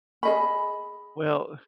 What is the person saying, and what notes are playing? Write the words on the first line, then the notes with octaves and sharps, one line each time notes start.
Well, uh,
G#4 D#5 B5